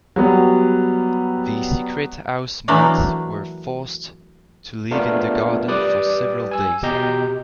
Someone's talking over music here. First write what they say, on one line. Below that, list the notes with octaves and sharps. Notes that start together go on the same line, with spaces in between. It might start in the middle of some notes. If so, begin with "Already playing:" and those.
The secret housemates were forced to live in the garden for several days.
F#3 G3 B3
E3 F#3 A3 A#3 D4
A3 B3 D4 F4 A#4
G3 B4 D5 D6 D#6
G#5 E6
B2 G4 D#5 A#5 G6